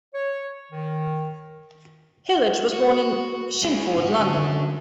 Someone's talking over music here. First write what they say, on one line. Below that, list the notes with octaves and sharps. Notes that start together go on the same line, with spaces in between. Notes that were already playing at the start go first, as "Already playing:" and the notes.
Hillage was born in Chingford, London.
C#5
D#3
F#4
G#3 C#4 E4
G#2 C#4 F#4
D3